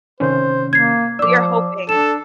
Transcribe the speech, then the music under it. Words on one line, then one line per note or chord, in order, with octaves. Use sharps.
So you're hoping
C3 D#3 C#4 C5
A#3 G#6 C7
F3 D5 D6 E6
D4 A4 E7